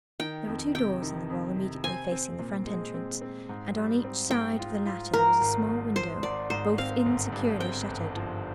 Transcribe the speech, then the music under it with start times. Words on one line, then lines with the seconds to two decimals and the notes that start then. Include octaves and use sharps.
There were two doors in the wall immediately facing the front entrance, and on each side of the latter there was a small window, both insecurely shuttered.
0.20 D#3 G5
0.47 F2
0.75 C3 G5
1.02 D#3
1.30 F2
1.56 C3
1.84 C4 G#5
2.12 C4
2.39 A#2
2.67 G#3
2.94 C4
3.21 C4
3.49 G#2
3.76 G3
4.04 C4
4.31 G#2 G5
4.59 F4
4.86 F4
5.13 G#2 A#4
5.41 G#1
5.68 G#2
5.96 G#1 C5
6.23 G#1 D5
6.50 G#2 C5
6.78 C4 F5
7.06 G1
7.32 G2
7.60 C4 G5
7.88 G1
8.15 F3